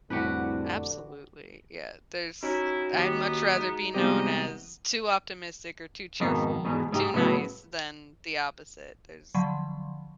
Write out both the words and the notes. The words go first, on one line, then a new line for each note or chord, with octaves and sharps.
Absolutely, yeah, there's I'd much rather be known as too optimistic or too cheerful or too nice than the opposite. There's
C2 F2 A2 D3 F#4 G4 B4
C#4 D#4 E4 F#4
D#2 B3 G4 D#5
G#3 D#4
C3 G3 G#3 B3 C4 D#4 G4 D#5
F2 G#2 B2 D#3
E2 G#2 B2
G#2 D#4 G4
A2 C#3 F#3 B3 E4
D3 F3 F#3 B5